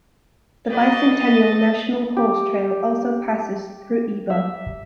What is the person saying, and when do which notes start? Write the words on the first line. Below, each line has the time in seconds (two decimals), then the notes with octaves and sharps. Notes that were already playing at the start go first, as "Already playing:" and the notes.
The Bi-Centennial National Horse Trail also passes through Ebor.
0.70 F#4 B4 D5 D#5 A6
2.17 G4
4.30 E5